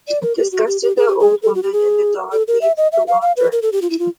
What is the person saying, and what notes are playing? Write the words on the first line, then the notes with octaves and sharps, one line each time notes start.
Disgusted, the old woman and the dog leave the launderette.
D5
A#4
G4
F#4
G4
G4
G#4
G4
G#4
A4
F#4
G4
G#4
A4
A#4
E5
D#5
E5
F5
F5
B4
A#4
A4
G4
F4
E4
F4